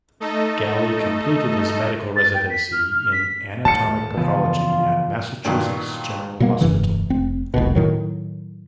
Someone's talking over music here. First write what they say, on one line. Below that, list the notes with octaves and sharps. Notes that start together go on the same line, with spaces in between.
Galli completed his medical residency in anatomic pathology at Massachusetts General Hospital.
A3 D#4 A4 D#5
A6
G5
B6
F6
F6
B6
D#1 D2 A2 A5 C#7
C#3 E3 F3 B3 F4
G2 A#2 D#3 F#3
B2 G3 A#3 B3
F1 G2 C#3 E3
F1 C4
F1 C2 F2 B2
A2 D#3 F#3